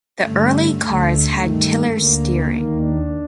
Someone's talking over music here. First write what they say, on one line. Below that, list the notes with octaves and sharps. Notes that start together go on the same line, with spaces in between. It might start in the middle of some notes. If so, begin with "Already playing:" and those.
The early cars had tiller steering.
G2 D3 A3
D2 D3 A3
G2 D#3 A3
D2 D3 A#3
D#2 D#3 A#3
D4